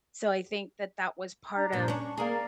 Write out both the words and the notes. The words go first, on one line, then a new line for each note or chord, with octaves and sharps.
so I think that that was part of
D4 A#5
G2 A#2
C#4 D4 C#6
A#3 G#4 D5 F5 A#5